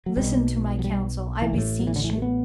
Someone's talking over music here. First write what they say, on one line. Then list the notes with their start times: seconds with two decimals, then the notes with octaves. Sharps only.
Listen to my counsel, I beseech you.
0.06 F#3
0.17 B1 B2 G3
0.79 F#3
0.84 G3
1.42 E3
1.53 A1 D3
1.58 A2
1.79 F#3
1.87 E3
1.96 D3
2.04 E3
2.13 A3
2.22 B3